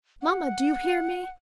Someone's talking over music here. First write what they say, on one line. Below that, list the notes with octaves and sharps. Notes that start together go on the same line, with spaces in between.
Mamma! do you hear me?
F#5